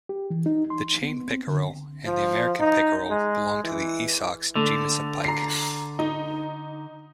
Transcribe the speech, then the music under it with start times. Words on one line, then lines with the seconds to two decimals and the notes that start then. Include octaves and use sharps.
The chain pickerel and the American pickerel belong to the "Esox" genus of pike.
0.09 G4
0.30 E3
0.46 D#4
0.70 C6
1.02 B3
1.28 C4
1.48 D3
2.05 F3
2.59 D#4
3.10 G#3
3.64 E3
4.56 D3 A3
5.25 A#5 C7
5.99 D#4